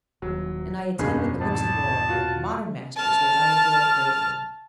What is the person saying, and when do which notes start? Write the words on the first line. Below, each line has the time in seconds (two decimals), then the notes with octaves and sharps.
And I attended the Luxembourg, with modern masters, which I enjoyed greatly.
0.22 D#1 F#3
0.99 F#1 E2 G2 B2 D3 G#4
1.41 G#1 A5
2.09 F4 F#4
2.97 A5 F6